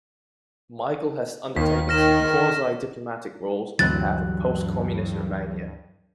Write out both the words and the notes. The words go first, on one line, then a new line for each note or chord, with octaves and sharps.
Michael has undertaken some quasi-diplomatic roles on behalf of post-communist Romania.
D#2 D#3 B6
D#3 F6 A#6 E7
D2 G2 E3 F#3 C4 F#6 A6